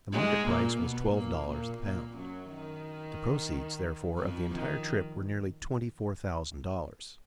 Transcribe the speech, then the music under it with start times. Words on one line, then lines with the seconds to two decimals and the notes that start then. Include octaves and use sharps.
The market price was twelve dollars the pound. The proceeds, therefore, of the entire trip were nearly twenty-four thousand dollars.
0.13 G#2 G#3
0.47 A#2 A#3
0.80 B2 B3
1.15 A#2 A#3
1.48 A#2 A#3
1.82 A#2 A#3
2.16 F#2 F#3
2.50 D#3
4.18 F2 F3
4.52 D#3